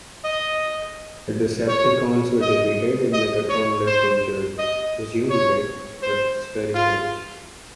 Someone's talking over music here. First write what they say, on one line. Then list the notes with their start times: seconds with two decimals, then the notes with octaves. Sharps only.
The Decepticons were defeated and Megatron left injured, presumed dead, but swearing revenge.
0.25 D#5
1.69 C#5
2.41 D#5
3.13 D#5
3.50 C#5
3.86 C5
4.58 D#5
5.30 C#5
6.03 C5
6.75 F4